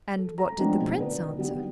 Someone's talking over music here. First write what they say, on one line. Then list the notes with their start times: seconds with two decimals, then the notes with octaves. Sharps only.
'And what did the Prince answer?'
0.18 A4
0.38 A#5
0.58 F3 G#3 A3 B3 C4 D4
0.80 B2
0.99 D3 D#4 B4
1.37 D3 G3 B3